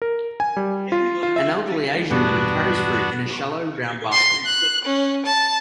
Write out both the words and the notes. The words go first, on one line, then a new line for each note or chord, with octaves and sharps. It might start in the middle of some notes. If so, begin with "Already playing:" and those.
An elderly Asian woman carries fruit in a shallow round basket.
A#4
G#5
G3
F4
F4
E5
E2 G2 B2 B3 D4 F#4
C6
F#6
C#4
A5